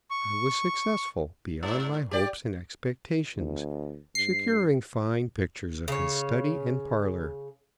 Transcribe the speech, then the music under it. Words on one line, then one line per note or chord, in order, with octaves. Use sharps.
I was successful, beyond my hopes and expectations, securing fine pictures of his study and parlor.
C#6
G#2
G4 D5
D2
G2 C7
C#3 C#5